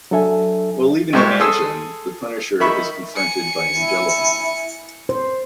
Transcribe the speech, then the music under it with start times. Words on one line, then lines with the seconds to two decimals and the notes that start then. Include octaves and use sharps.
While leaving the mansion, the Punisher is confronted by Angela.
0.11 F#3 D4 A4 E5 G#5
1.13 C2 G#2 G4 C5 C#6
1.40 G#4 A4 C6 D#6 E6
2.60 D#3 E5 B5 C#6
3.14 G#5 C#7
3.79 E4
5.09 C5